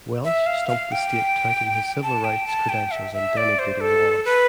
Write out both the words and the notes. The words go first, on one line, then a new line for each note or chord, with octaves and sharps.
Welsh stumped the state touting his civil rights credentials and denigrating Wallace.
E5
F5
F5
G5
A5
G5
A5
G5
E5
E5
D5
C5
A4
B4